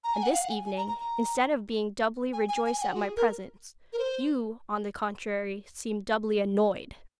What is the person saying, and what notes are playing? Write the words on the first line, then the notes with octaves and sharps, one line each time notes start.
And this evening, instead of being doubly rejoiced at my presence, you, on the contrary, seem doubly annoyed!
A#5
G#5
F#5
F5
F#5
G#5
G#5
A#5
A#5
A#5
G#5
G#5
G#5
G#5
F#5
F#4
G#4
A#4
A#4
C5